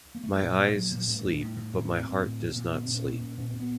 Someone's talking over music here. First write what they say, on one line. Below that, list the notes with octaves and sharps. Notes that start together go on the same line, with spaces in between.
My eyes sleep but my heart does not sleep.
A#3
A3
G#3
A#2 G3
G3
A#2
G3
A#2 F#3
A#2
F#3
A2 G3
A2
A2
A2
A2 C4
C#4
A2
C4
A2
A2
A#2
A#2
A#2 B3
C4
A#2
C#4
A#2
A#2
A#2 C#4
C4
A#2
B3